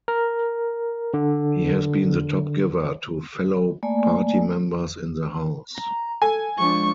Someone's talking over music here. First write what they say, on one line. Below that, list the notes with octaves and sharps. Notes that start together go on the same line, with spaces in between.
He has been the top giver to fellow party members in the House.
A#4
D3
A3 A#3 D5 G#5
A#5
A4 G#5
F3 G#3 D4 C#6